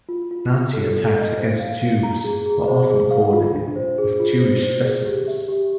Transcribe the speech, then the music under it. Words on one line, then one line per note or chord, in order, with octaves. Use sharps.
Nazi attacks against Jews were often coordinated with Jewish festivals.
F4
F4
F4
A4
A4
D#5
C5
F5
F5
A#5
G#4
G#4
C5
G#4
F5
F4
D4
C5
G#4
F4
C5
C5
G#4
G4
E5
G4